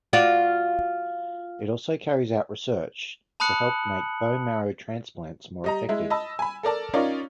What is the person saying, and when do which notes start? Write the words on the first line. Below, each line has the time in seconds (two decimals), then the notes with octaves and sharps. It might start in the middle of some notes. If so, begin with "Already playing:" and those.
It also carries out research to help make bone marrow transplants more effective.
0.13 F4 F#4 D5
3.40 A5 B5 D#6 F#6 C#7 F#7
5.64 G3 D#5 A#5
5.89 G#3 E4
6.10 D#5 A5 B5 E6
6.39 G#5 B5
6.63 A4 A#4 D5 A5
6.93 C#4 D#4 F4 A#4 C#5 D5